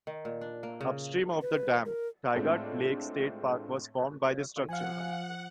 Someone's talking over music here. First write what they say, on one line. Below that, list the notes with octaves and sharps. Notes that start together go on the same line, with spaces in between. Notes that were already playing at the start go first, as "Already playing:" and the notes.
Upstream of the dam, Tygart Lake State Park was formed by this structure.
D#3
A#2
D4
A#3
C#3
B4
A#4
A2 G#3 A3 C4 D4 F4
F3 F5 F#5 G#5